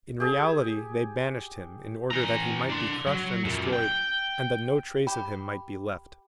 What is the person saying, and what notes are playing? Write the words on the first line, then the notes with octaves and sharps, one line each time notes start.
In reality they banished Him in order that He might be crushed and destroyed, and that no trace of Him might be left.
G4 G#4
E3 A#5
D4 C6
F#3
F#2 A#2
G5
G4 B5